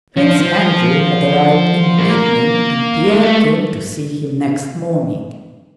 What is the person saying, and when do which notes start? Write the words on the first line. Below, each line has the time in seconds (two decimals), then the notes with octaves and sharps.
Prince Andrew had arrived in the evening and Pierre came to see him next morning.
0.17 F3
0.39 F3
1.99 A#3
3.10 G#3
3.23 A3